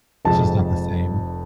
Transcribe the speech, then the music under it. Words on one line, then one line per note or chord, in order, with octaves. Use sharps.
It's just not the same.
F1 F2 C3 F3 G#3 A5